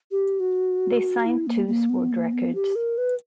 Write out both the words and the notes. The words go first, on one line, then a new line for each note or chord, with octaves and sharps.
They signed to Sword Records.
G4
F#4
E4
A#3
A#3
B3
A#3
B3
G4
A#4
B4